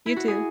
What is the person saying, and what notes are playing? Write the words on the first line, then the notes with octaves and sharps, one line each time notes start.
You too.
E4
F#4
G#4